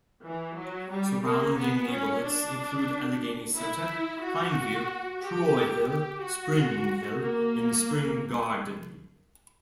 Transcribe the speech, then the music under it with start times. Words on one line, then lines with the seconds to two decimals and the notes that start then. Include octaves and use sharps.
Surrounding neighborhoods include Allegheny Center, Fineview, Troy Hill, Spring Hill, and Spring Garden.
0.25 E3
0.58 F#3
0.91 G3
1.25 A#3
1.57 B3
1.91 C#4
2.23 D4
3.56 E4
4.23 F#4
5.22 G4
5.87 G4
6.21 F#4
7.20 A#3